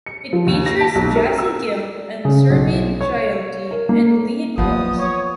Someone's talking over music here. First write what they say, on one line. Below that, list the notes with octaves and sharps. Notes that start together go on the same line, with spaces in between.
It features Jassie Gill and Surbhi Jyoti in lead roles.
C#7
F3
D#2
A#6
A5
B1
A#4
E6
C#3
B1
C#5
A#4
A#3
F3 F#3 A#3 B3 D#6
C#5